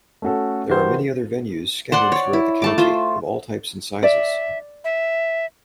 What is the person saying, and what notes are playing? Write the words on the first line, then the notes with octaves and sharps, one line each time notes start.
There are many other venues scattered throughout the county, of all types and sizes.
A3 C#4 F#4 A4
E3 F#4 G4 A#4 C5
C5 D5 F#5 C6
C#5 D5
E4
A3 A5 D6
F4 C5 E5
D5 E5
E5